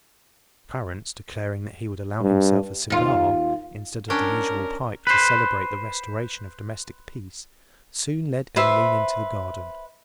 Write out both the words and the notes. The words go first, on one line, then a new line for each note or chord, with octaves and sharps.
Clarence, declaring that he would allow himself a cigar, instead of the usual pipe, to celebrate the restoration of domestic peace, soon led Emmeline into the garden.
G2
D#2 F4
C#4 D4 A#4 G5
B4 C5
B4 C5 E5